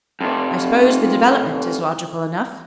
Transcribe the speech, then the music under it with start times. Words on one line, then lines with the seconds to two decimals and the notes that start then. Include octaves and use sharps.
I suppose the development is logical enough.
0.21 F2 C3